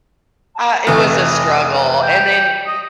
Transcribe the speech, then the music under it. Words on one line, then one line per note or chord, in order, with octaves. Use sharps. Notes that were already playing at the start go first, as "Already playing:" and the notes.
uh, it was a struggle, and then,
F1 E3 D#5
G5
D#5